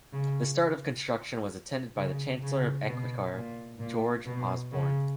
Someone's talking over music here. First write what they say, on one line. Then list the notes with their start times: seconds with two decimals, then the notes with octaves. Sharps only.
The start of construction was attended by the Chancellor of the Exchequer, George Osborne.
0.13 C#3
1.96 C#3
2.43 C#3
2.87 B2
3.34 A#2
3.79 A#2
4.26 B2
4.72 C#3